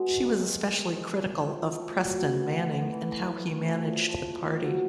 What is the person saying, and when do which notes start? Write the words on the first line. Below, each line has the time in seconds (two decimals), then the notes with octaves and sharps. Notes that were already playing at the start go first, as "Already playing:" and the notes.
She was especially critical of Preston Manning and how he managed the party.
Already playing: B2 G#3
0.17 G2
0.39 D#3
0.62 D#3
0.86 G#3
1.09 F3
1.32 G#3
1.55 F3
1.78 A3
2.00 F#3
2.23 B3
2.46 A2
2.69 E3
2.92 E3
3.15 A3
3.39 A2
3.62 F3
3.84 A#2
4.08 F3
4.31 A2
4.53 F#3